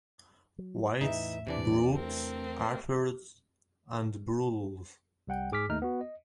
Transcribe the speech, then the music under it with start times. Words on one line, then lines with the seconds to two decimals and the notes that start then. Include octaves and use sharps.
White's, Brooks's, Arthur's, and Boodle's.
0.58 F#3
1.01 E2 A2 E3 D#4 E5
1.47 E2 C3 E3 D4 D5
1.93 A3 C4 A#4
5.27 C2 G3 F#5 G5
5.52 G#2 G#4 D6 F6 B6
5.69 D#2 A3 D#4 F6
5.82 B3 F#4
6.01 D#5